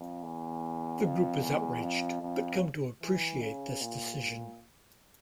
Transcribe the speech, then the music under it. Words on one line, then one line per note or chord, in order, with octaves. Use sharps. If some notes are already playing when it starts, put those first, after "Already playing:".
The group is outraged, but come to appreciate this decision.
Already playing: F2
E2
F2
E2
F2
F2
E3
C#3
A#2